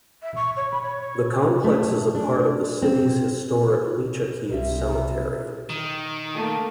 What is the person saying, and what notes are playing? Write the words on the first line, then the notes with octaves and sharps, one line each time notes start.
The complex is a part of the city's historic Lychakiv Cemetery.
E5
C#6
C#5
B5
C#5
C#5
A3
D4
C4
C2 G3 D#5 E5
C3 E4
D#3
A3 A#3